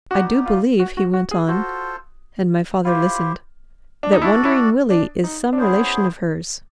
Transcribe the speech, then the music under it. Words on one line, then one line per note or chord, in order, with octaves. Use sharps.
I do believe," he went on, and my father listened, "that Wandering Willie is some relation of hers.
G3 B3 D#4 F#4 G4
F4
F#4
F#4
F#4
G#4
F4 F#4 A4 C5
E4 F4 G4 C5
D4
D#4
D4 E4 F#4 A4 D5
E4
D4
D#4
D4
B3 C#4 E4 G#4 C5